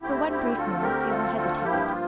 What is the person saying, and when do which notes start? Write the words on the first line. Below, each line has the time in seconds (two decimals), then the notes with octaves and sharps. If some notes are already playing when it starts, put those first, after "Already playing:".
For one brief moment Susan hesitated.
0.02 D2 D3 A3 C4 E4 G4
0.29 E4 G4
0.56 F4 A4
0.83 G4 A#4
1.10 F4 A4
1.36 F4 A4
1.64 G2 F3 A#3 E4 G4
1.90 F4